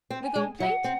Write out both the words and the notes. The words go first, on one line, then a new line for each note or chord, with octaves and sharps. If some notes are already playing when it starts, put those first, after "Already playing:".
"The gold plate?"
C4
G#5
G#3
F#3 F#5
C4